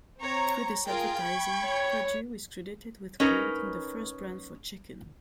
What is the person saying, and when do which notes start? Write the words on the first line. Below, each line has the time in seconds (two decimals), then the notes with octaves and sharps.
Through this advertising, Perdue is credited with creating the first brand for chicken.
0.20 C4 C#5 A#5
0.86 F4 G#4 A#4 G5
1.23 B5 C#6 G#6
1.65 C#5
3.20 C#4 D#4 A#4 B4